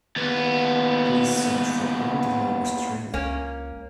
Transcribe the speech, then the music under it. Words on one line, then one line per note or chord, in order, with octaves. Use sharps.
Please search for All the Lovers trailer.
D#2 B3
C#2 A#3 C#4